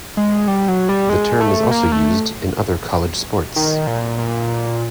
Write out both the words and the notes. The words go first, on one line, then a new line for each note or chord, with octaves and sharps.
The term is also used in other college sports.
G#3
G3
F#3
G3
G#3
A3
A#3
A3
D#3
A#2
A#2